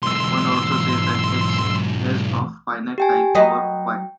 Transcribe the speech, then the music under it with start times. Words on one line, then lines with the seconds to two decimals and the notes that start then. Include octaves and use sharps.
One also says that "X" is of finite type over "Y".
0.03 B1 G#2 C6 E6
2.98 G4 G5 G#5
3.35 F#3 B4 D#5 G5